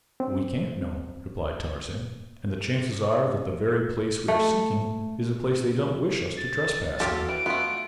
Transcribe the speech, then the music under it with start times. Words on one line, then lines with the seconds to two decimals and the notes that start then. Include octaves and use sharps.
"We can't know," replied Tarzan, "and the chances are that the very place we are seeking is the place they don't wish us to trespass on."
0.20 C4
4.28 A3
6.37 A6
7.00 F#3 F4 G4 A4
7.29 E3 D7
7.46 A3 B3 F4